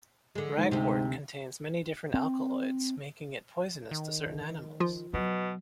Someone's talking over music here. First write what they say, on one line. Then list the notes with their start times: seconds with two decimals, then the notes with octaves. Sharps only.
Ragwort contains many different alkaloids, making it poisonous to certain animals.
0.35 D3 G#3
0.58 G#2
0.71 D2 C3
2.14 C4
3.91 D#3
4.80 F3 F4
5.14 B2 F#3